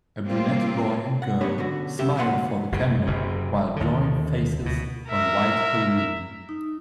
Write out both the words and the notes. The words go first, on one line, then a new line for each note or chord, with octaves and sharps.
A brunette boy and girl smile for the camera while drawing faces on a white balloon.
G3 A#3 C4 F4
F#5
A3 B3 D4 G4 B4 C#5
B2 D3 C#4 F#4
F#2 G4 E5
D2 A#2 B4 F#5 C6
F#1 A2 C#3
F#1 F#2 C3
D#2 D3
D2 B2
A#4 E5
D#4